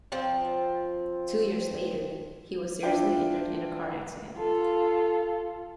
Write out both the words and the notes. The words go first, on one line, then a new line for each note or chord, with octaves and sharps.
Two years later, he was seriously injured in a car accident.
F3 C4
D4 E4 F4 G5
F4 A4